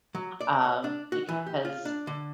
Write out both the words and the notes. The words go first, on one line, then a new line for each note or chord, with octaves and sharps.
um, because,
F#3
D5
C#5
D4
F#4
E3
G4
F4
D4
D3